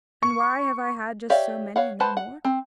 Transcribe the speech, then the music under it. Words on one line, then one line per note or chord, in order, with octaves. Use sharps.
And why have I had just so many and no more?
C#6
G4 C#5 D5 E5 F5
C#5 F5 F#5
B4 C5 F#5 A5
F#5
C4